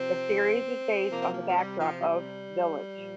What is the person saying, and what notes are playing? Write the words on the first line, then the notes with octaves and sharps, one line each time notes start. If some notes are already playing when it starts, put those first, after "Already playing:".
The series is based on the backdrop of Village.
Already playing: C3 F3 C4
C3 F3 A#3
C4
A#3
F3
G3
F3
G3
A#2 F3